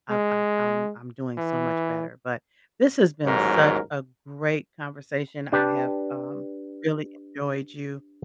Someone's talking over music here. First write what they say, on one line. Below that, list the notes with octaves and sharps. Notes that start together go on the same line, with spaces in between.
I've I've I'm I'm doing so much better." But, this has been such a great conversation, I have um, really enjoyed you.
G#3
E3
A1 D#2 G#2 F#3 A#4
D4 G4 B4 A5